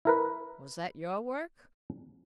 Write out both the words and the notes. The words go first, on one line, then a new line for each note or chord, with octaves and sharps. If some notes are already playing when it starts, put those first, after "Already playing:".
"Was that your work?"
E4 A#4 B4